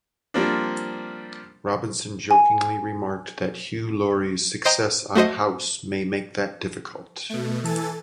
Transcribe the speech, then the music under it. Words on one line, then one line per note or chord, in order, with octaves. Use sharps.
Robinson jokingly remarked that Hugh Laurie's success on "House" may make that difficult.
F3 G3 A#3 C4 D4
G#5
C5 D#5 G5 A#5
A3 F#4 C5 D#5
B2 A3
E3 A4 G#5 A6